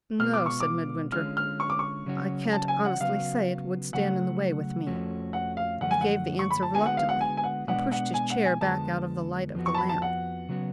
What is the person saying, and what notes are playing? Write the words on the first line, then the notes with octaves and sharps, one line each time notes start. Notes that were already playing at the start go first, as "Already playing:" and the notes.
"No," said Midwinter; "I can't honestly say it would stand in the way with me." He gave the answer reluctantly, and pushed his chair back out of the light of the lamp.
B2 G#3 B3 F4 F6
D6
C#6
D6
D3 G#3 C#4 F4 F6
F6
C#6
D6
C#6
C#3 F#3 C#4 F#4
A5
G#5
F#5
C#3 F#3 B3 F#4 F5
C#3 F#3 A3 F#5
F2 F3 A3 C#4 F#4
F#5
F5
F#2 D3 F3 A3 F4 F#5
G#5
F#5
C#6
B5
A5
D3 G#3 B3 F#4 G#5
F#5
F5
F#5
G#5
G#5
F#5
B2 G#3 B3 D4 F#5
F#5
G#5
F#5
G#5
F2 D3 F3 G#3 B3 A5
F2 F3 B3 F#4
C#6
A5
B5
A5
F#5
C#3 F#3 B3 F#4